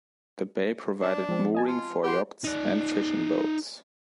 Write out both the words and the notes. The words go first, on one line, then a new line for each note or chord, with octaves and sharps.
The bay provided mooring for yachts and fishing boats.
D4
F3 G#3 C4
D#5 G#5 A5
F4
G4 B4 F#5 C6
D#4 D5